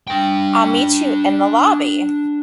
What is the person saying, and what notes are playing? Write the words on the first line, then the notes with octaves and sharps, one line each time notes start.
I'll meet you in the lobby.
D4 G5